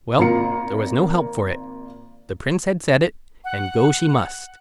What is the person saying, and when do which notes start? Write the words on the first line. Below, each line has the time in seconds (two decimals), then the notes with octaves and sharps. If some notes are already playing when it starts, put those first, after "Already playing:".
Well, there was no help for it; the Prince had said it, and go she must.
0.18 G#1 A#3 F4 A#5 C#7
3.45 F#5